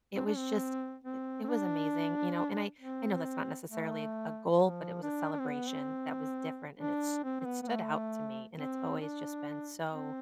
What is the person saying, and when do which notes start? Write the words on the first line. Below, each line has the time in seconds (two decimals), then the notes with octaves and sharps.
It was just it it was amazing, you know, and I I know that's not necessarily a g a goal, but it was a celebration that was different, and it's it stood out to me, and it's always just been so
0.16 C4
0.26 D4
0.37 C4
1.04 C4
1.44 C4
1.49 D4
2.81 C4
3.69 A3
4.58 F3
5.03 D4
5.32 D4
5.40 C4
5.47 B3
5.69 C4
6.79 D4
7.24 C4
7.41 C4
7.46 B3
7.63 B3
7.68 A3
8.57 C4
9.01 D4
9.89 C4